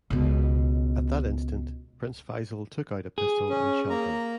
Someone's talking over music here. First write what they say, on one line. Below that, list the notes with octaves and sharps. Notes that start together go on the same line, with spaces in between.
At that instant, Prince Faisal took out a pistol and shot him.
C#2 B2
G#4
C#4
A#3 A#5